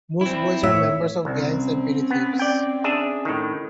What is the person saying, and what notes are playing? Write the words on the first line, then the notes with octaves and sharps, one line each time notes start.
Most boys were members of gangs and petty thieves.
C4 E4
A2 C#5 E5
C2 C4 C#4
B3
D5 G5
D4 G#4 E5
A2 D#3